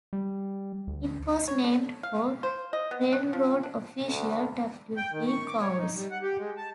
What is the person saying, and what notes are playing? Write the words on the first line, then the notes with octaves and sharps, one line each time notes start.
It was named for railroad official W. D. Cowles.
G3
D2
C#5
D3
F5
C5
D#5
B3
D4
F3
D4
D2
G5
D#3
C#6
D6
C#5
D#4
G3
F#5
G4
G#3
A5